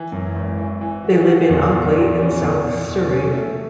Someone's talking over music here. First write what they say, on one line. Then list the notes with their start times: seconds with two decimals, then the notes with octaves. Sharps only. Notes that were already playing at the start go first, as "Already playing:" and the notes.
They live in Ockley in south Surrey.
Already playing: E3
0.12 F#2
0.36 G#1
0.58 E3
0.81 E3
1.04 F#4
1.26 F#4
1.49 E2
1.73 E2
1.96 E2
2.19 C#4
2.42 E2
2.64 B2
2.88 E2
3.09 C#4
3.33 A3